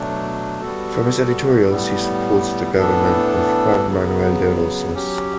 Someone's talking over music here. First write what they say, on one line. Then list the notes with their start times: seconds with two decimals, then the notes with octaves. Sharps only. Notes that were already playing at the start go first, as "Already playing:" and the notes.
From his editorials he supported the government of Juan Manuel de Rosas.
Already playing: B2 F#3 A3 D4
0.61 G3 B3 F#4 A4
1.69 A2 G3 B3
2.78 A2 E3 B3 D4 A4
3.85 C#3 F#3 B3
4.94 F#3 C#4 G4